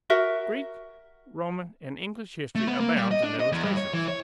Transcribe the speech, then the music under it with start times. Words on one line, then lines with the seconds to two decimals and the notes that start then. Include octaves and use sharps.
Greek, Roman and English history abounds in illustrations.
0.10 F#4 A#4 E5
2.55 A3
2.67 B3
2.80 A#3
2.96 G3
3.11 D#5
3.23 D4
3.40 D#5
3.52 E2
3.65 G2
3.77 C#5
3.93 E3
4.08 C#5